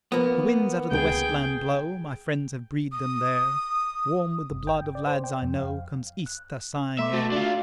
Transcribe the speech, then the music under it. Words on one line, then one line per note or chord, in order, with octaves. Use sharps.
The winds out of the west land blow, My friends have breathed them there; Warm with the blood of lads I know Comes east the sighing air.
F3 A#3 B3
C#2 C3 D#3 G#4 G5
D#6
G1
G5
D5
C5
G5
F2
F5
F#6
A3 E5 C6 D6
A3 F#4
D4 F4